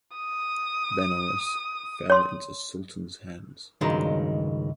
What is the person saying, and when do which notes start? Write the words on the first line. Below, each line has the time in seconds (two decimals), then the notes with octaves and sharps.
Benaras fell into Sultan’s hands.
0.16 D#6
2.10 C#5 C6
3.81 C#2 G2 D#3 F#3 G#3